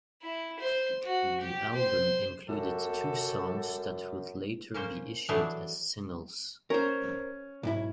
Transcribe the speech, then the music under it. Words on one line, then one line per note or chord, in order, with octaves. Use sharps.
The album included two songs that would later be issued as singles.
E4
C5
F#4
G4
C5
F#2 F#4 G4 A4
A#3 C#4 C5
E3 F#3 A3 D4 G#4 A4
C#4 A#4 C5
B1 G#2 E4